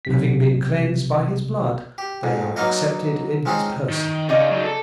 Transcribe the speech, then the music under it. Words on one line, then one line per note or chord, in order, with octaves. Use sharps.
Having been cleansed by his blood, they are accepted in his person.
B1 C3 B6
G4
F2 G#2
F#3 A#3 B3 D#4 A#4 D#5
F3 G#3 C4 C#4 D#4 F4
D#3
C#3 D#4 D5 D#5 F5
F#3 D#4
A4